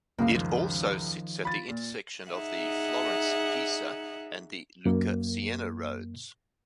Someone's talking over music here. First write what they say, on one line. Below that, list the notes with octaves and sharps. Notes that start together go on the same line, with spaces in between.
It also sits at the intersection of the Florence-Pisa and the Lucca-Siena roads.
C#2 F#2 C#3 A#3 F5
D#3 F3
F4 B5 A6
A#2
D#4 G#4 E5 F#5
F#2 A#3